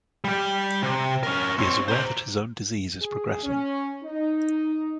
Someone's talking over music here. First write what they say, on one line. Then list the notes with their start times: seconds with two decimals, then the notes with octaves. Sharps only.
He is aware that his own disease is progressing.
0.24 G3 G4
0.83 C3
1.23 C#4 A#4
1.59 C4 C#5
1.88 C5 A#5
3.01 G#4
3.44 C#4
4.03 D#4